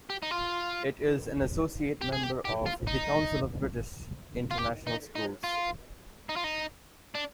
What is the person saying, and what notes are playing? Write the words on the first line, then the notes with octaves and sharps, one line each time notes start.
It is an associate member of the Council of British International Schools.
G4
D#4
F4
G4
G#4
G4
G4
F4
D#4
F4
G4
D#4
D#4
F4
D#4
F4
D#4
D4